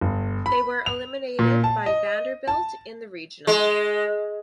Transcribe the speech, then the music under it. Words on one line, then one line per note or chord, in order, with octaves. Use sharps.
They were eliminated by Vanderbilt in the Regional.
G1
B5
F7
A#2
A5
D#5
A5
G#3